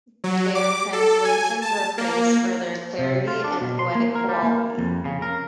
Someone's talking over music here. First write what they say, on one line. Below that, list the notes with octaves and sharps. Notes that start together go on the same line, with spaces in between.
Their translations were praised for their clarity and poetic quality.
F#3
D6
A4
G#5
A5
A#3
C3
F4
D4
B2
C6
A#3
A#4
G3
A#3
F2
C#3
A#4